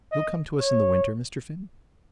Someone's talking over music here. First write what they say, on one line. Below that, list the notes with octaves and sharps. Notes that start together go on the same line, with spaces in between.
"You'll come to us in the winter, Mr. Finn?"
D#5
C#5